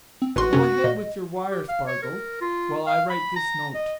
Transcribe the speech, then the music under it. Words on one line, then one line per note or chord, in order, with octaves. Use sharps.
"Go ahead with your wire, Spargo, while I write this note."
C4
G#1 A2 F#4 B4 C6
F#2 C3 C#4
A#2 D#5
G4
F5
C#5
A#4
F4
F5
B5
A#5
D#5